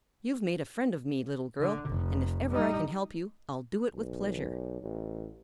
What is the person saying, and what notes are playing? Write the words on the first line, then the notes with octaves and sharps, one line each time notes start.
"You've made a friend of me, little girl, and if ever I can help you I'll do it with pleasure."
D3
F1
G3 D#4
B1
A1